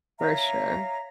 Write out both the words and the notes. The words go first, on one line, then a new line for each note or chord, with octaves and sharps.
For sure.
C#5 E5 F5 A#5